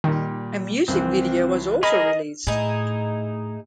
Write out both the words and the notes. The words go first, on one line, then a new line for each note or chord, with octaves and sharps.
A music video was also released.
A#2 D#3 G3
C2 E3 F3 C4
G#4 A#4 D#5 B5
A2 D#4 E4 G#4